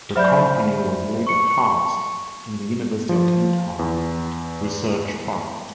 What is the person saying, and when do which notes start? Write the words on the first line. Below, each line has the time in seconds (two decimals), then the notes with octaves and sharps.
The company was later housed in the University of Utah Research Park.
0.16 F#3 C5 D5 E5 B5 G6
1.27 C#6 C#7
3.09 F3
3.79 E2